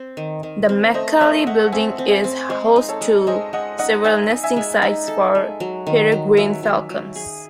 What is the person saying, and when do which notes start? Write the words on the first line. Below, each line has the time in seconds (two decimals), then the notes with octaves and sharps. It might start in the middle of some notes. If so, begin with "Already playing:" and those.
The Mack-Cali building is host to several nesting sites for peregrine falcons.
Already playing: C4
0.17 D#3
0.43 D#3
0.69 C4
0.94 A3 C5 D#5
1.20 A3 C#5 E5
1.46 A3 D#5 F#5
1.67 F#5
1.72 C4 E5 G#5
1.99 C4
2.11 E5 G#5
2.24 C4
2.49 G#3 G#4 C5
2.76 D#4
2.88 A4 C#5
3.01 G#3
3.27 G#3 C5 D#5
3.53 G#3 D#5 F#5
3.79 D#4 D#5 F#5
4.04 D#4 E5 G#5
4.30 D#4
4.44 E5 G#5
4.56 G#3
4.82 D#4
5.08 A4
5.35 G#3
5.60 F#3
5.87 D#3
6.12 F#3
6.37 F#3 E5 G#5
6.63 F#3
6.90 F#3
7.15 G#4